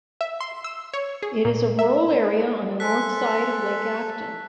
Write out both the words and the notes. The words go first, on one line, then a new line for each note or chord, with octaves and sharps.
It is a rural area on the north side of Lake Afton.
E5
C6
E6
C#5
G#4
A#2
E5
A4 C5 G#5 C6 F#6 B6